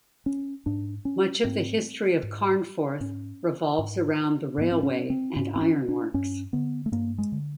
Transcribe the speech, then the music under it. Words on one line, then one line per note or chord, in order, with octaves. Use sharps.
Much of the history of Carnforth revolves around the railway and ironworks.
C#4
G#2 D4
C#4
G#2 C4
G#2
G#2 C#4
G#2
G#2 B3
C4
C#4
C4
G#2 C#4
C4
C#4
D4
G2 C#4
D3 B3
A3
G2 A#3
G#3
D3